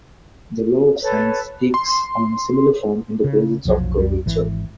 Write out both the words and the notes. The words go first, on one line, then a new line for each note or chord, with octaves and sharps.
The law of sines takes on a similar form in the presence of curvature.
A4 B4 C#5
C6
C#3
F1 B1 F3 F#3
B1 F2 G3
G#1 E3